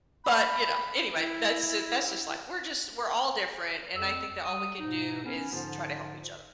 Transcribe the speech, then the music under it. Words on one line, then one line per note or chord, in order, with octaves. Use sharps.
But, you know, anyway, that's ju that's just life. We're just we're all different, and I think that all we can do is try to help each other.
B5
E4
F2 E6
G3 D#6
G#2 B2 D#4
B3 C#4
G#2 D3 F3 F4